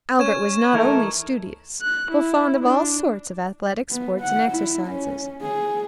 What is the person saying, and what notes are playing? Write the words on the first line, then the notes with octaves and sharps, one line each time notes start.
Albert was not only studious, but fond of all sorts of athletic sports and exercises.
C#4 C#6 G#6 E7
E3 A3 D#4 A#4
F#6
E4
D4
B3
F#5
E4
C#4
G#4